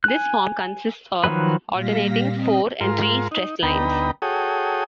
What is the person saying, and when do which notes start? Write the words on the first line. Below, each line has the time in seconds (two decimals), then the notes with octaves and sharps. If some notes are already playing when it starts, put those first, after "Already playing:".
This form consists of alternating four- and three-stress lines.
0.04 G#5 F#6
1.24 D#3 F3 F#3 B4
1.74 A#2 G3 F5 A#6 B6
2.32 C4 D#5
2.81 G#2 F4 A#4 C6
3.31 D#4
3.63 D2 B3 D#4 B4 G5 A#5
4.22 F#4 G#4 A4 C#5 G5 D#6